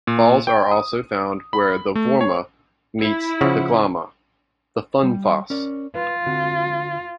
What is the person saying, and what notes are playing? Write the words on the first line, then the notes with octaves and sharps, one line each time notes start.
Falls are also found where the Vorma meets the Glomma - the Funnefoss.
A#2
G5
D#6
B5
A3
C#5
E4
C#3 F3 F#5
G3
C#4 A#4 D5
F4 B4
D3 C4 F#4